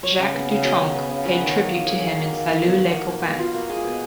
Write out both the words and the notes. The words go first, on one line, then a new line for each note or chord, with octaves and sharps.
Jacques Dutronc paid tribute to him in "Salut les copains".
F#3 C#5
C#3
B3
C#3
F#3 D#5
C#3
B3
C#3
F#3 B4
D#3
A#3
D#3
F#3 G#4
D#3
A#3
D#3
A#3
B2
B2 F#4
A#3
A#3
B2
B2 F4
A#3 F#4
G#3 G#4
B2